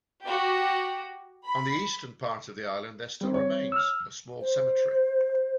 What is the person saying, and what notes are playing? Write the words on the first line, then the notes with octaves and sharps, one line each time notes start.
On the eastern part of the island there still remains a small cemetery.
F#4 G4
B5
G3 C4
C#5
E6 F6
C5